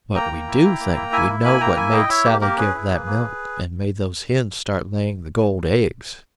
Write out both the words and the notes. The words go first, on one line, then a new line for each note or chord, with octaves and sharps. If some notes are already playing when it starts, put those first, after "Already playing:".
"But we do think we know what made Sally give that milk and made those hens start laying the gold eggs."
A#3 G5 A#5
A#3
E4
E4
A#3
A#3
E4 E5 G#5
E4
A#3 G#5 B5
A#3 G5 A#5
E4 E5 G#5
E4 D#5 G5
E4 C#5 E5
A#3 G4
A#3 G4 A#4
C#4 G#4 B4
E4
A#3
A#3